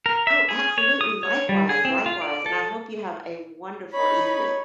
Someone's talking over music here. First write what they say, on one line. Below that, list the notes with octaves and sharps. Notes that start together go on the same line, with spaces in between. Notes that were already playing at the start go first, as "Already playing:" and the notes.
Oh, absolutely, likewise, likewise, and I hope you have a wonderful evening.
A#4
E5
G#4
C#5
D#6
C#5
G3
G#4
C4
F4
D5
A4
D#4 C#5 B5